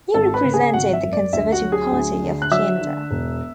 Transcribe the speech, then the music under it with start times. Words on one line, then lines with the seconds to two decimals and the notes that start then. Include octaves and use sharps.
He represented the Conservative Party of Canada.
0.14 G#1 A4 A5
0.34 B4 B5
0.44 C#3
0.53 G#4 G#5
0.73 G#1 F#4 F#5
0.93 E5
1.03 F#2
1.13 D5
1.33 D2 E5
1.52 F#4 F#5
1.62 F#3
1.72 G#4 G#5
1.92 D2
2.22 D3
2.42 F#6
2.51 F#3 E5 E6
2.81 D3
3.11 E1